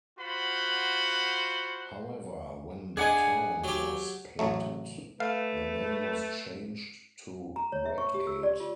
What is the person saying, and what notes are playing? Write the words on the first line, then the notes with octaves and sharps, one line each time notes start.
However, when the town was platted, the name was changed to Bradgate.
F4 F#4 C5 F#5 B5
D4 G#4 D#5 F#5 G#5
F#3 G4
A1 F#3 A3
A3 B4 F5
A#5
C#5
E5
C#6
G4
E6
D5
F4